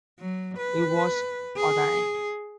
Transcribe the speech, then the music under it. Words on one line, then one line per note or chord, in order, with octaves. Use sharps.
He was ordained.
F#3
B4
G#4